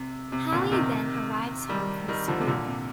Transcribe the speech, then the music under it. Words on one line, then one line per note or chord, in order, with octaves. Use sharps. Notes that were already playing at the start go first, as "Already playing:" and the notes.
Hally then arrives home from school.
Already playing: C3
C3
A#2 D3
C3 D#3
D#3 G3
D#3 G3
D3 F3
C3
A#2 D3
C3